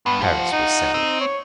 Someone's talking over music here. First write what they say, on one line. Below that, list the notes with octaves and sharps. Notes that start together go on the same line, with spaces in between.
Paris was saved.
G2 B3
F3 G4 F#5
D#4
C4
C#5